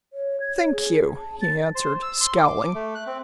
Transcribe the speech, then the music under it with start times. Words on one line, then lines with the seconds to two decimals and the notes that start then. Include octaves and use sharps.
"Thank you," he answered, scowling.
0.13 C#5
0.40 G#6
0.57 C#5
0.72 G#4
1.18 A5
1.41 A6
1.75 C5
2.03 E6
2.21 C6
2.37 D6
2.75 A3
2.95 F#6
3.07 C4